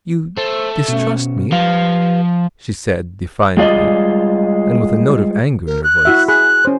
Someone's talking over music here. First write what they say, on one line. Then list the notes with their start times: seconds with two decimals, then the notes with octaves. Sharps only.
"You distrust me?" she said defiantly, and with a note of anger in her voice.
0.37 A3 C5
0.88 B2 C#4
1.52 F3 G4 B4 F5
3.57 G3 G#3 F4 D5 D#5
5.67 A#4
5.84 F#6
6.05 E4 F#4 E5
6.28 G#4 B5 F#6
6.65 C#4 C5